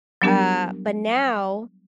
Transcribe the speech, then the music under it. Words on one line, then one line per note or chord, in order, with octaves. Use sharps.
Uh, but now
F#3 G3 B3 D4 G4 A#4